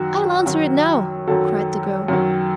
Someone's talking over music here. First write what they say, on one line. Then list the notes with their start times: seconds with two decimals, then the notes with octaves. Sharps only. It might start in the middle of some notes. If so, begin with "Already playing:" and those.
"I'll answer it now!" cried the girl.
Already playing: F#2 D#3 F#3 F#4
0.46 F#2 D#3 F#3
1.27 F#2 D#3 F#3 A4
2.08 F#2 D#3 F#3